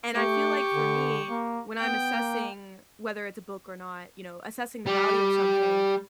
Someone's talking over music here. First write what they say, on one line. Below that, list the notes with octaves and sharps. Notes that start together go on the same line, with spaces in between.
and I feel like for me, when I'm assessing whether it's a book or not, you know, assessing the value of something
A3 G4 C#6
D3
A#3
B3 G5
A#3
G3